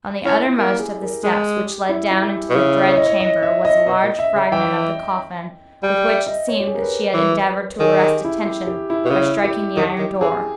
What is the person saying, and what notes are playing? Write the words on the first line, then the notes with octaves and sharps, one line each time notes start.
On the uttermost of the steps which led down into the dread chamber was a large fragment of the coffin, with which, it seemed, that she had endeavored to arrest attention by striking the iron door.
C#4 E4
E4
A#3 G4
G#4
A#4
G#3 G#4
G4
E4
E4
G4
B2
C#3 E4
C#5
D#5
C#5
D#5
E5
D#5
B2 D#5
A#2
E5
C#3
E3 G5
G3 G5
E5
D#5
C#5
G4
G#4
A#4
B4
E3
D#3 G#4
G4
E4
G4
G4
E4
B2
C#3 E4
G4
D#3 G4
D#3
E3 G#4